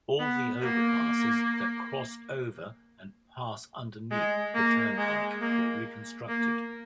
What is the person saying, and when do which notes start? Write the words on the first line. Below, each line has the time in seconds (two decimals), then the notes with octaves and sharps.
All the overpasses that cross over and pass underneath the turnpike were reconstructed.
0.19 B3
0.62 A#3
4.11 G#3
4.54 A#3
4.97 G#3
5.41 A#3
6.28 A#3